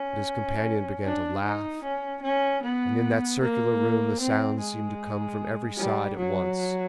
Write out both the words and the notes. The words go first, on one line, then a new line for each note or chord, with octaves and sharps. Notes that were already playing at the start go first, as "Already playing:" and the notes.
But his companion began to laugh, and in that circular room the sound seemed to come from every side at once.
Already playing: C#4
D4
D#4
C#4
C#4
B3
A#3
C4
G#3
G3
F#3